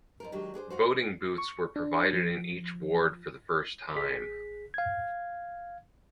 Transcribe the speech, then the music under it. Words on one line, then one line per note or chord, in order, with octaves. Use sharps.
Voting booths were provided in each ward for the first time.
F2 F3 A#4
D#3 F#3 G#3 D4 G4
D4 G#4 A#4 C5
F4 F#4 C5
C#6
D4
F3
A1 G#4 B6
F5 G#6